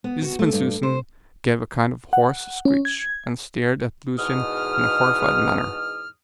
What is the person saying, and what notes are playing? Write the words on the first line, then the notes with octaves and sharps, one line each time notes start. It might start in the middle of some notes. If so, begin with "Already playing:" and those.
Mrs. Bensusan gave a kind of hoarse screech, and stared at Lucian in a horrified manner.
B3
F#4
A3
G2
C5
F#5
C#4
G#6
E2 G#2 B2 D#6 F6